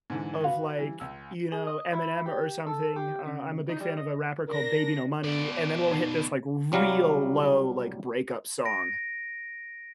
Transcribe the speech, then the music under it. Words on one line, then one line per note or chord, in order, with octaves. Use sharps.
of, like, you know, Eminem or something, uh, I'm a big fan of a rapper called Baby No Money, and then we'll hit this, like, real low, like, breakup song.
G#2 D3 E3
F#4 B4 F5
E3 G3
C#2 E6
G#4
D#5
E4
G4
A4
G4
C#3
D#4
G3
D#5
D4 A#4 A#6
B2 D5
D#4 A5 C7
C2 F#3 G3 F5 A#5
A#6 D7